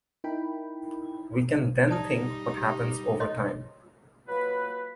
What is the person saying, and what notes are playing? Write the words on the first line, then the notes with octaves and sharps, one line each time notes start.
We can then think what happens over time.
D#4 E4 A#4 G5 B5
G3 D#4 D5 A5 D#6
G4
C#5 D#5 C6
F#3 A#3 F4 B4